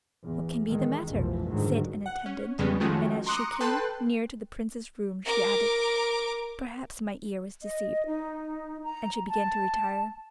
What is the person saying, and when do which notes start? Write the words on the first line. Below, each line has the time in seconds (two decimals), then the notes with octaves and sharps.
"What can be the matter," said an attendant, and as she came near to the Prince's room she added, "Perhaps my ear was deceived," and she began to retire.
0.24 E2
0.65 D#3 G#3
1.09 F1 B1 E3 F3
1.48 C#2 G#2 D3 D#3 F#3
2.06 F#5
2.26 C#4
2.59 F2 C#3 G3 G#3 B3 C#4
2.80 D#3 F3 G#3 A3 C#4 F#4
3.26 A#5 C6 D6 D#6 F#6 C#7
3.60 A4 B4 G5 A5 C6 F#6
5.25 A#4 D6
7.63 D#5
8.06 D#4
8.84 A#5
9.29 A5